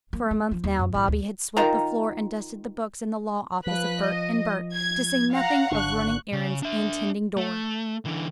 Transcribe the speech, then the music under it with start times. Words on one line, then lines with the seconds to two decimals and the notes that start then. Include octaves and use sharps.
For a month now Bobby had swept the floor and dusted the books in the law office of Burt & Burt, to say nothing of running errands and tending door.
0.13 A#3
0.31 A3
0.52 F3
0.64 D#2
0.79 F#2
0.94 A1
1.08 D2
1.57 D#3 F4 A#5
3.67 F3 B4 F#6 B6
4.00 D#5
4.74 G#6
5.33 F5 F#5 A#5
5.71 G#1 D3 D4 C#6 F#6
6.32 C#3
6.63 D4 E5
7.37 A3
8.05 D3 E3